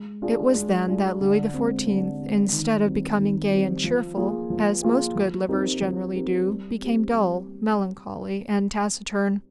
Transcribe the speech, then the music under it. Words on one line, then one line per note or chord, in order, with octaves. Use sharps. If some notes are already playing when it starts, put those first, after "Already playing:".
It was then that Louis XIV., instead of becoming gay and cheerful, as most good livers generally do, became dull, melancholy, and taciturn.
Already playing: G#3
D4 F4 G#4
G#3
D4 F4 G#4
D3
G#3 C4
D3
G#3 C4
D#3
G3 C4
D#3
G3 C4
F3
A#3 F4 G#4
F3
A#3 F4 G#4
F3
C4 D#4 G4 A#4
F3
C4 D#4 G4 A#4
G3
C4 G4
G3